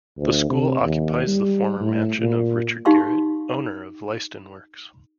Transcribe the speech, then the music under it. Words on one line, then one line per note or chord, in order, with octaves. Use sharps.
The school occupies the former mansion of Richard Garrett, owner of Leiston Works.
D2
C3
D#2
G3
A2
A#2
D#4 G4 F5 C6 C#6